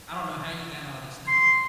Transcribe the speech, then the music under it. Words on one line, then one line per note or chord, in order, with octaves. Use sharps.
I don't know how you got all this stuff
C6